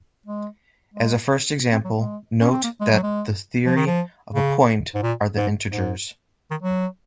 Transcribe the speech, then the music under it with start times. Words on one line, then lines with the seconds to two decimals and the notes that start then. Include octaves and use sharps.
As a first example, note that the -theory of a point are the integers.
0.26 G#3
0.94 G#3
1.73 C4
1.84 F#3
1.96 G#3
2.41 C#4
2.52 C4
2.64 A#3
2.81 G#3
2.92 F#3
3.03 G#3
3.66 F3
3.76 D#3
3.87 F3
4.35 C#3
4.95 G#2
5.03 A#2
5.37 G#2
5.71 G#2
6.51 D#3
6.62 F#3